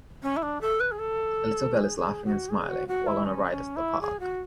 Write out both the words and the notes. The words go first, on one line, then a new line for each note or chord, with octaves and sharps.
A little girl is laughing and smiling while on a ride at the park.
C#4
E4
D4
A4
B4
G#4
A4
G#4
G#4
F#4
G#4
F#4
F#4
E4
C#4
C#4
E4
G#4
F#4